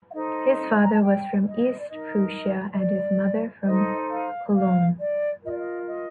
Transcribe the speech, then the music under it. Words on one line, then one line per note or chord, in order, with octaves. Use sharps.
His father was from East Prussia and his mother, from Cologne.
F5
D#4 A4 C5 D#5
A#5
A5
G5
D#5
D5
D#4 A#4 D#5
D#5
D5
D5
D#4 A4 C5 D#5
F5
F5
D5
F4 A#4 D#5
D5
D#5
D#5